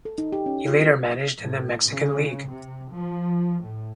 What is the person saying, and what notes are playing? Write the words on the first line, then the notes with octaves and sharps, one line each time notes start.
He later managed in the Mexican League.
A4
D#4
G4
C#4
F4
A#4
A2
C#3
C3
F3
A2